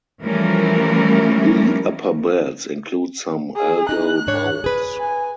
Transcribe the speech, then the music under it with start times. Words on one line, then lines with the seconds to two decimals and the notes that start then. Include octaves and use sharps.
The upper beds include some algal mounds.
0.24 E3 F3 G3 A3 C#4 A#4
3.56 G#4
3.89 D#4 F#6
4.27 G#2 D4 C#5
4.64 G#4 B4
5.00 G#5